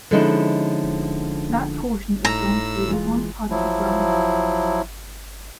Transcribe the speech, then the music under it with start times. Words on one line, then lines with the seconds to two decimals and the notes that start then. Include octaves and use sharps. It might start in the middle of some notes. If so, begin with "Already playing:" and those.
That portion of John Street was once part of the Grange estate.
0.11 D3 F3 G#3 C#4 D#4 E4
2.25 A2 D#4 A#5 E6
2.88 E3 G#3 F4
3.50 F3 F#3 E4